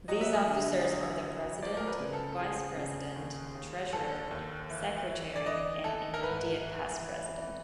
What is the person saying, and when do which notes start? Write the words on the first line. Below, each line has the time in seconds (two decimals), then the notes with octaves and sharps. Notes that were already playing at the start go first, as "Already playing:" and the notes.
These officers are the President, Vice President, Treasurer, Secretary, and Immediate Past President.
0.08 F#3 D#5
0.21 E5
0.33 D#5
0.47 D3
0.85 F#3
1.23 F#3
1.62 F3 D5
1.77 A#4
1.88 B4
2.00 C#3
2.13 A4
2.32 A4
2.39 F3 G#4
2.77 C#3
3.16 D#2
3.55 D#2
3.92 D#2 A4
4.31 D#2
4.70 E3
5.08 E3
5.36 D5
5.46 E3 D#5
5.84 E3 A4
6.14 A#4
6.22 G#2 B4
6.62 E3
7.00 E3
7.37 E3